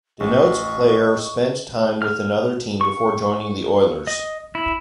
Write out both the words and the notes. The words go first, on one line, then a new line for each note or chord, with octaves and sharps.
Denotes player spent time with another team before joining the Oilers.
A1 D#5 C#6
F6
C#6
D#5
E4